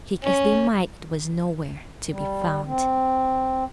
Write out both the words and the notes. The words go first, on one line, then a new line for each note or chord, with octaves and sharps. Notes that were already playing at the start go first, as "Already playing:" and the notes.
Seek as they might, it was nowhere to be found.
C#4
G3
C4